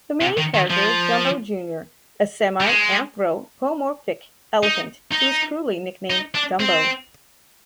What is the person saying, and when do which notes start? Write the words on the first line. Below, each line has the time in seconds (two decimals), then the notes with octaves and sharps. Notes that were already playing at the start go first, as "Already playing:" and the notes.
The main character is Jumbo Junior a semi-anthropomorphic elephant who is cruelly nicknamed "Dumbo".
0.21 C3
0.37 D#3
0.54 D#3
0.70 F3
2.60 G3
2.66 G#3
4.63 D#4
5.12 D#4
6.10 D#4
6.35 D4
6.60 C4